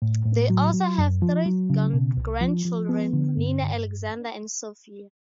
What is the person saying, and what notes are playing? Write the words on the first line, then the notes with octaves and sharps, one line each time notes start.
They also have three grandchildren Nina, Alexander, and Sofia.
A2
A2
F#3
F#3
F#2
F3
F#3
C#3
B2
C2
F3
F3
B3
D3
G2
G2